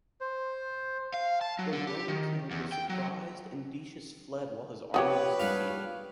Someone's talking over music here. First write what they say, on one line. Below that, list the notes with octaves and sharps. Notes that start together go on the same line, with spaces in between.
The Roman camp was surprised and Decius fled while his army was defeated.
C5
F5
A5
F#3
D3
G4
D#3
E2
G5
F#3
F3 F#4 G4 B4 C#5 F#5 D#6
G3 D4 F4